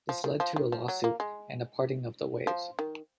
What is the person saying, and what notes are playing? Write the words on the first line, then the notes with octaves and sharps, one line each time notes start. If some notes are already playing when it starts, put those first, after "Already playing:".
This led to a lawsuit and a parting of the ways.
F3
D#3
F3
D#3
F3
F#3
A#3
G#3
F3
D#3